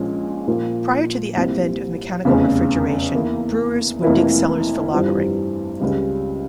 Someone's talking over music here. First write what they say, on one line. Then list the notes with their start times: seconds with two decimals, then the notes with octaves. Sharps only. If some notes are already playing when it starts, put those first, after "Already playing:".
Prior to the advent of mechanical refrigeration, brewers would dig cellars for lagering.
Already playing: A#1 A#2 F3 G#3 C#4
0.47 A#2 F3 A#3
1.36 C2 A#2 G3 C4 E4
2.25 F1 E2 C#3
3.13 E2 E3 A#3 E4
4.02 F1 F2 E3 A#3 E4
4.91 G2 E3 G3 C4 F4
5.80 C#2 C#3 G3